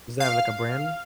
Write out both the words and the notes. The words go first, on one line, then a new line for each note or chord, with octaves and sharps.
is that, like, a brand?
F5